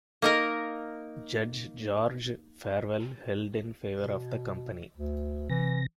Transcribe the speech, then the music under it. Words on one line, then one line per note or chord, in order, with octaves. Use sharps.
Judge George Farwell held in favour of the company.
A#3 D#4 A#4
B2
D2
C3 E3 A#6